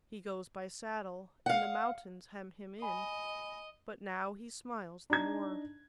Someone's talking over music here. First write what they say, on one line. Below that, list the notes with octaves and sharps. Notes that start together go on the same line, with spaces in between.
He goes by saddle, and the mountains hem him in, but now he smiles the more.
F5 F#5
D#5 G#5 B5
D4 D#4 A#5 G#6